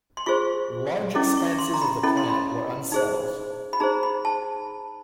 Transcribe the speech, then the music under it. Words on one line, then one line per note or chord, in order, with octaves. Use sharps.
Large expanses of the planet were unsettled.
C6
F4 G#4 C5 C#6
C#4 E4 A4 D6
C#6
C6
A#5
B5
C#4 E4 A4 B5
C6
B5
D#4 G#4 C5
B5
D#4 G#4 C5 A#5
B5
A5